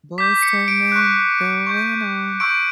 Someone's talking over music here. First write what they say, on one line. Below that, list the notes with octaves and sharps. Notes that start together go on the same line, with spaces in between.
Boyz II Men going on
D6 G6 B6
B6
C#7
D7
C#6 F#6
C#6 G6
C#6 E6 G6 D7